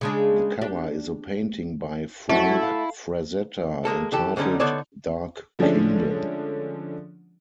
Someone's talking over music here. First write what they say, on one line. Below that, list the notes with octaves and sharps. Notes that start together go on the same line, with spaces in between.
The cover is a painting by Frank Frazetta entitled Dark Kingdom.
C#3 G#3 D4
D4 G4
F#3 A3 C#4 E4 F#4
F5
G#3 A#3 A4
E3 G4 A4
F#2 D3 G3 C#4 D#4
D3 B3 D#4 A4 C#5 D5
D3 F3 G#3 A3 C#4 D4